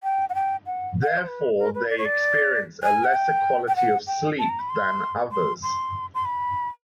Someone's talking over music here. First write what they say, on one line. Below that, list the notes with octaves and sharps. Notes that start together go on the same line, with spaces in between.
Therefore, they experience a lesser quality of sleep than others.
G5
F#5
G5
F#5
F#5
F5
C5
B4
A#4
B4
D5
C#5
D5
G#5
F#5
G5
G5
F#5
G5
A5
A#5
B5
C6
C6
C6
C6
B5